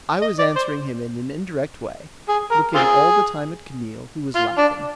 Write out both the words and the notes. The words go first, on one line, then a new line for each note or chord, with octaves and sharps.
I was answering him in an indirect way, looking all the time at Camille, who was laughing.
D#5
D5
C5
G#4
A#4
C4 F4 G#4
F4
D4